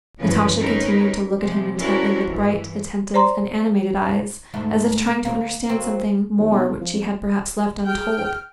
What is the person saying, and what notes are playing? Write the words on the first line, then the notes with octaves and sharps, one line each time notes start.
Natasha continued to look at him intently with bright, attentive, and animated eyes, as if trying to understand something more which he had perhaps left untold.
D2 G2 C#3 E3 F3 B4
C4 C#4 D#4 A#4 B4 C#5
C3 F3 G#3
C#4 D4 E4 F#4 A#4 C5
G2 E3
C5 D5 A#5 C6
D2 G#2 A3
A#3
D2 A#3
F#3 A#3 C4
D#2
B1
C2
F3
F2
G#4 G5 F6